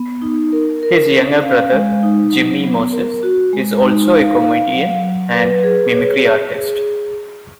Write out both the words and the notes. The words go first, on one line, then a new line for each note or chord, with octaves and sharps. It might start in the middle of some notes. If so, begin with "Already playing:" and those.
His younger brother, Jimmy Moses, is also a comedian and mimicry artist.
Already playing: B3
D#4
A#4
A#4
C#4
F5
G#3
D#4
F#3
B3
A#4
F#4
G#3
D#4
F5
F5
F#3
F#3
B4
G#4
C#5
C#5
G#4